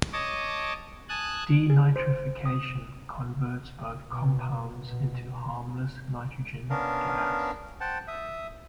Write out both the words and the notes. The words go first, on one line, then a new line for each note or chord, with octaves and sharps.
Denitrification converts both compounds into harmless nitrogen gas.
C#5 D#5 A5 D6 D#6
G#5 A5 D#6 F#6
G#4
C5
D#6
B2
B2
B3 C#4 D4 A#4 F5
C5 F#5 G5 A5
E5 D#6